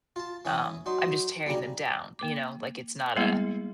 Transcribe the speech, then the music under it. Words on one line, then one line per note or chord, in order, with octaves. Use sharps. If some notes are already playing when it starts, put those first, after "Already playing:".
Um, I'm just tearing them down," you know? Like, it's not a
F4 A5
E3 C#4 D#6
F#3 D#4 C6
B1 C#3 G3 A#5
A#3 D6
G3 G#3 A#3 B3 E4 G#4